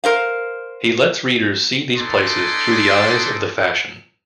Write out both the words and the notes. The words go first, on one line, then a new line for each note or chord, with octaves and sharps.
He lets readers see these places through the eyes of the fashion.
A#4 C5 F5
B3 D#4 G#4 A4 D5 C6